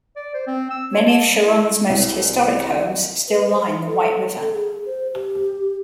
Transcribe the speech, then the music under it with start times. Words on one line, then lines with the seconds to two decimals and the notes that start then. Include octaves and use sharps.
Many of Sharon's most historic homes still line the White River.
0.16 D5
0.34 C5
0.47 C4
0.71 E6
0.93 C#5
1.05 A5
1.28 G3
1.45 E4
1.90 C2
3.28 B4
3.48 C5
3.67 D#4
3.86 A4
4.37 A4
4.53 G#4
4.86 C5
5.14 G4